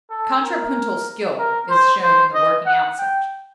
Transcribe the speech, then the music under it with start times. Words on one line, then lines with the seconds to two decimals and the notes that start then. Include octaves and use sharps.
Contrapuntal skill is shown in the working out section.
0.10 A4
0.42 A#4
1.39 A#4
1.70 C5
2.03 C5
2.34 D#5
2.66 F#5
2.98 G5